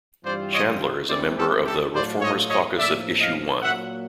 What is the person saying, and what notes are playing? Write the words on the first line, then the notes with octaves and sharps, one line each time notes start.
Chandler is a member of the ReFormers Caucus of Issue One.
G2 E3 G3 C4 F4 C5 D5
C#5 D#5
E3 G#3 C4 E4 C5 D5
G4 A4
G4 A4
A2 F#3 A3 D4 F4 C5 D5
C#5 D#5
C#5 D#5
A2 F3 A#3 D5 E5
D#5 F5
A#2 F#3 A#3 E5 F#5